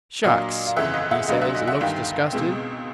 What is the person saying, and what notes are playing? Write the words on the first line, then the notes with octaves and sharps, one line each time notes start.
"Shucks!" he says, and looked disgusted.
A#2 F#3 A#3 D4 F4 D#5 F5
F5
G1 F2 C#3 E3 E5 F#5
D#5 F5
E5 F#5
D2 D3 F#3 A#3 D4 D#5 F5
E5 F#5
D#5 F5
E5 F#5
G1 G2 D#3 F5 G5
C#2 B2 G#3 C4